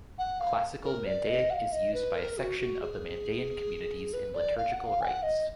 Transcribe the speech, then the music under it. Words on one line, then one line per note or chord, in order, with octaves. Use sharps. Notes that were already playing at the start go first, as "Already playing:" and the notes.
Classical Mandaic is used by a section of the Mandaean community in liturgical rites.
F#5
F5
A#4
D5
D#5
F#5
F5
D#5
B4
A#4
F#4
F#4
G#4
B4
D5
F5
F#5
F5
G#5
F#5
D#5